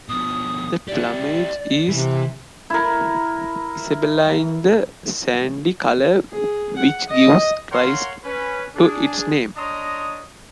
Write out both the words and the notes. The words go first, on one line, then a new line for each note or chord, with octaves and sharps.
The plumage is isabelline, the sandy colour which gives rise to its name.
B2 F3 D#6
E4 G4 D5
C3 E3
E4 A#4
G#4
F#5
D#5
A#4 C#5 F5 F#5 C6
C#4 B4
D4 G#4
D4 C#5 D#5 A#5 C6 D#6